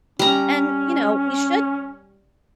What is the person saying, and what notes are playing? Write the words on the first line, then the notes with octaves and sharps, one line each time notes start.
and, you know, you should
G3 C#4 A#5